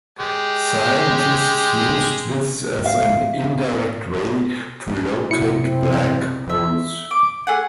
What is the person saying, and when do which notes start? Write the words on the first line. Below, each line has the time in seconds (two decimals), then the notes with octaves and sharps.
Scientists used this as an indirect way to locate black holes.
0.19 G#3 G4
2.84 E5 F5
5.31 B1 F#2 C3 E4 F#4 C#7
5.62 C4
6.50 E5
7.11 D6
7.47 A3 G#4 F#5